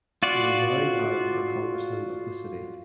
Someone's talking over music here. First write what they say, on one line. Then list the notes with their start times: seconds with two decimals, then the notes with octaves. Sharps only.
He is now vying for congressman of the city.
0.23 F4 F#4 D5